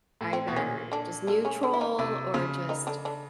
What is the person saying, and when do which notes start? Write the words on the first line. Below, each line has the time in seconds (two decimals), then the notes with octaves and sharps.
either just neutral or just
0.21 A2
0.33 C4
0.48 B2
0.56 A#2 C#3 C#4
0.92 D3 D4
1.27 D3 D4
1.45 C#3 C#4
1.63 D3 D4
1.73 E4
1.81 D#3 D#4
1.99 C3 E3 E4
2.34 C#3 F3 F4
2.69 D#3 D#4
2.87 D3 D4
3.05 D3 D4